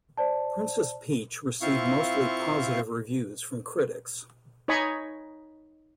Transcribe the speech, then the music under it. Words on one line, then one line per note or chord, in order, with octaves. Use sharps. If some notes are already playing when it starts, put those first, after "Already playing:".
Princess Peach received mostly positive reviews from critics.
C5 D5 A5
C4 E4 F4 C5 F5 C#6
D#4 C#5 D#5 G#5 B5 C#6